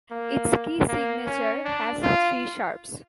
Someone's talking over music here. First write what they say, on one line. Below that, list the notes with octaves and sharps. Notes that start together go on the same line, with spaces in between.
Its key signature has three sharps.
A#3
A#3
C#4
D4
F4